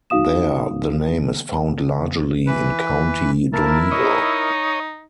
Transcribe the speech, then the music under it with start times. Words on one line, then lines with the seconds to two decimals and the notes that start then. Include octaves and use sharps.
There the name is found largely in County Donegal.
0.10 D#4 F#4 F5 D#6 E7
2.47 E3 B4
3.53 A#3 E4 A#4 A5
3.91 D#4 C#5 D#5